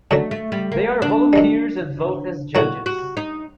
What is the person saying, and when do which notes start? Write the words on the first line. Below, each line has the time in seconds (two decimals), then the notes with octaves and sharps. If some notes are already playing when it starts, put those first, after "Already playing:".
They are volunteers and vote as judges.
0.11 F#2 D3 F#3 A3
0.31 A3
0.52 G3
0.72 A#3
1.02 D4
1.33 F#2 D#3 G3
2.55 A#1 A2 F#3 F#4
2.86 F#4
3.17 D#4